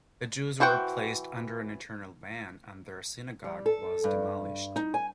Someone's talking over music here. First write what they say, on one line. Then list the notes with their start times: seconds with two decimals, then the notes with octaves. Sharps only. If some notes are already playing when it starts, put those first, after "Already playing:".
The Jews were placed under an "eternal ban" and their synagogue was demolished.
0.60 E3 F#4 C5 F#5 G5
3.44 G3
3.66 A4
4.04 G2
4.76 D#4
4.94 G#5